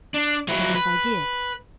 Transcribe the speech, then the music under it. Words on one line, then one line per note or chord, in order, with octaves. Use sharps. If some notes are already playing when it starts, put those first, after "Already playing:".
"I believe I did."
D4
F#3 E4
B4